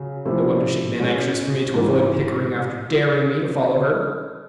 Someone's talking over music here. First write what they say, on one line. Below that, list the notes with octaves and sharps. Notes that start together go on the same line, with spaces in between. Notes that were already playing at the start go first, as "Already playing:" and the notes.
No wonder she had been anxious for me to avoid Pickering after daring me to follow her!
Already playing: C#3 F#3
C3 F3 A3 C#4 E4
B2 G#3 C#4
G#2 E3 G3